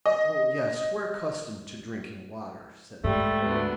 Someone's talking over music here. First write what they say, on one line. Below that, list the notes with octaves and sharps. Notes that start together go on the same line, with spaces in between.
"Oh, yes; we're accustomed to drinking water," said the girl.
D#5
G#2 G3 A3
D2 B3 D4